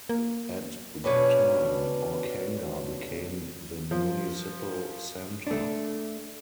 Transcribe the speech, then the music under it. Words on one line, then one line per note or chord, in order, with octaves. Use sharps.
At that time Orkanger became the municipal center.
A#3
B2 C#4 D4 B4
F3
A3 D4